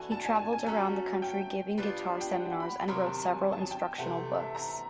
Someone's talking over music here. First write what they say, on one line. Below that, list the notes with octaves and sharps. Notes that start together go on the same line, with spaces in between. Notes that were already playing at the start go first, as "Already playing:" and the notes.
He traveled around the country giving guitar seminars, and wrote several instructional books.
Already playing: E3 A3 D4 F#4 G#5
A5
G#5
G#5
G#5
F#3 A3 C#4 F#4
G5
G3 B3 D4 F4
G5
F#5
B5
C3 D#3 F#3 A#5
A5
G#5
G#5
A5
G#5
G5
C3 E3 A3 F#5
E5
A#5